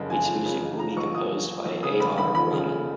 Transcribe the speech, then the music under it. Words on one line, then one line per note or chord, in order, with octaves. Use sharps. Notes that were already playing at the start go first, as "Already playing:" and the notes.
Its music will be composed by A. R. Rahman.
Already playing: F#1 C#3
F2 G#5
F3
C#3
F#1
F3 A#5
B1 C#6
A#2 D#6
B1
F3
B1
C#3 D#6
F1 B5
D#2 B5
F3 B5
C#3
F1